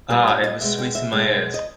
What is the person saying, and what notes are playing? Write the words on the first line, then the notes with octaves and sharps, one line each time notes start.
Ah, it was sweet in my ears.
A#2 G3 B4
C#5
D#5
B2 G#3 E5
G5
E5
B2 G#3
D#5